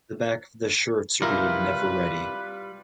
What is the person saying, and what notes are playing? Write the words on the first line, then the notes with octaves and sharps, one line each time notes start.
The back of the shirts read "Neveready".
C2 G3 E4 F4 A#4 B4